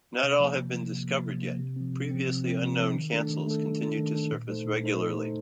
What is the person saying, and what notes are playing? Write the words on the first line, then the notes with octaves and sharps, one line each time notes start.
Not all have been discovered yet; previously unknown cancels continue to surface regularly.
C3
F3 A#3
C3
F3 A#3
C3
F3 A#3
C3
F3 A#3
C3
F3 C4
C3
F3 C4
C3
F3 C4
C3
F3 C4
D#3
A3 D4 A4
D#3
A3 D4 A4
D#3
A3 D4 A4
D#3
A3 D4 A4
A#2
A3 D#4 A4 C5
A#2
A3 D#4 A4 C5
A#2
A3 D#4 A4 C5